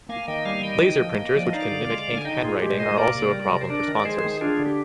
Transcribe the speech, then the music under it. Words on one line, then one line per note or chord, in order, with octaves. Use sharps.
Laser printers which can mimic ink pen writing are also a problem for sponsors.
A#3 F5 G#5
D#3 D#5 G5
G3 F5 G#5
D#3 D#5 G5
D#4
F3
A#3
F3 D5
D#5
D#4 D5 F5
D3
G#3
D3
G#5
D#4 D#5 G5
A#2 F4 G#4
G#3 G4
A#2 C5 D#5
A#3 A#4 D5
C3
G3
C3
C5
D4 A#4 D5
D#3
D5
G#3 G#4 C5
D#3
D4 F4 G#4
D3
G4